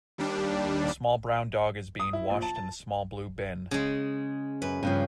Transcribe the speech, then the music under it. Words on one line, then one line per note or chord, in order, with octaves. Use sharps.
A small brown dog is being washed in a small blue bin.
D#2 G3 D4
D#6
E4
A#1
A5
A5
C#3 G#3
F#2 B4
G2 C#3 F3